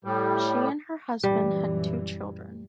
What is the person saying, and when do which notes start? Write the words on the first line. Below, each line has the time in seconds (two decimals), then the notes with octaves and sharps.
She and her husband had two children.
0.04 A2 G3
1.24 F#2 A#2 E3 G3